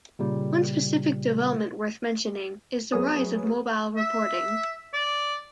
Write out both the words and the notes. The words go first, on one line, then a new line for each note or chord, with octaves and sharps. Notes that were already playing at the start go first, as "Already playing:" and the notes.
One specific development worth mentioning, is the rise of mobile reporting.
A#2 C#3 G3
F#2 B3 G#4 C#5 D#6
E5
D5